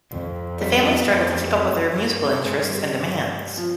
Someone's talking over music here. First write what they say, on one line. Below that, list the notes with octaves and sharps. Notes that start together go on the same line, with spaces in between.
The family struggled to keep up with her musical interests and demands.
F2
G3
B3
B3
F2 A3
F#2
G2
A3
G#3
G2 G3
F3